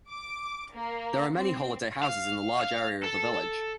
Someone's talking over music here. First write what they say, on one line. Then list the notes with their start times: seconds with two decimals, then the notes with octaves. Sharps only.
There are many holiday houses in the large area of the village.
0.10 D6
0.73 A#3
1.34 C4
2.03 F5
2.61 F5
3.04 A4